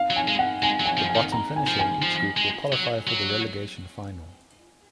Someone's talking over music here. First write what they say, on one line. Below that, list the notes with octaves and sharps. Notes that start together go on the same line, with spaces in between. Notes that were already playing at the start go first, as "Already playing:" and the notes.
The bottom finisher in each group will qualify for the Relegation Final.
Already playing: F5
F#3
G#5
G#3
F#5
G#3 G#5
F#3
G#5
F3
G#5
D#3
A#5
G#5
F3
G#5
F3
G#3
F#3
F#3